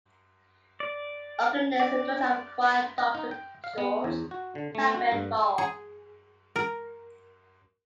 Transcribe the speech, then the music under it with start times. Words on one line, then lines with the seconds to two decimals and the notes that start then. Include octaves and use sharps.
Organist and Director of Choir Doctor George Thalben-Ball.
0.80 D5
1.80 D5
2.98 D#5
3.15 D#4
3.31 G5
3.64 F5
3.78 B3
4.04 E2
4.31 F#4
4.55 D3
4.75 A3
4.94 F#4
5.12 G2
5.58 G#4
6.56 A#4